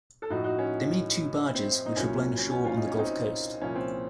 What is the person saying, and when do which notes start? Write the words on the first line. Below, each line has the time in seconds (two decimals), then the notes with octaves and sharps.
They made two barges, which were blown ashore on the Gulf Coast.
0.22 A4
0.30 A2 F3 D#4 F#4
0.44 D#4 F#4
0.59 C#4
1.55 C4
1.86 D#4
1.96 C2 A#2 F#3 C#4
2.37 C#4
2.51 C#4
2.65 F4
2.76 D#4
2.87 C#4
2.99 C4 D#4
3.61 C2 A#2 F3 C#4
3.75 C4